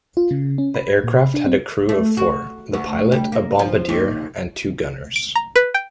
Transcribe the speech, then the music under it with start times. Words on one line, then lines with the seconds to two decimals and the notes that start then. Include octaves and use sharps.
The aircraft had a crew of four, the pilot, a bombardier, and two gunners.
0.17 F4
0.31 C#3
0.58 C#4
0.75 B5
0.89 G#6
1.04 A#2
1.16 B5
1.34 D4
1.46 C4
1.89 A3
2.17 F#4
2.73 D2
3.12 G3
3.32 A#3
3.59 F3
3.89 D#2
5.16 D7
5.35 A#5
5.56 B4
5.74 G5